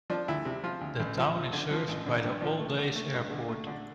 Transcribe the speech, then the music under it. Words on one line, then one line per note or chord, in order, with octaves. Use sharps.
The town is served by the Alldays Airport.
F3 D4
D2 E4
C3
F3 F4
D2
A1
F3
F3
D3
F3
A1
D3
G2
F3 D4
A3
D3
A3
G2
D3
A3
D3